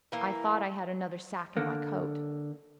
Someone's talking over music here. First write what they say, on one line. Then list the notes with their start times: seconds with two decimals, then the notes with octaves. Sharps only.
I thought I had another sack in my coat.
0.12 E3 A#3
1.57 D3 A#3